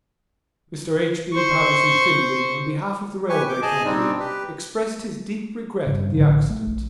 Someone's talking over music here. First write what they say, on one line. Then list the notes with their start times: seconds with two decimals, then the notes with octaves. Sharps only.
Mr. H. B. Patterson Finlay, on behalf of the railway company, expressed his deep regret at the accident.
1.33 C5 C#6
3.29 G4 B4 G#5 C#6
3.49 D6 G6
3.62 G#4 D#5 G#5 A5
3.85 G3 C4 D4 D#4
4.19 G4 B4
5.87 G2 C#3
6.16 A#1 A2 D3 F3
6.50 A3
6.67 A#1